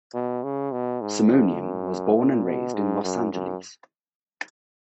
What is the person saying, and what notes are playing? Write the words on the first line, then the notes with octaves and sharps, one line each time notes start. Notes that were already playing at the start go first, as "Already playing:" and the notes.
Simonian was born and raised in Los Angeles.
B2
C#3
B2
G#2
F2
F#2
A#2
B2
G#2
F#2
F#2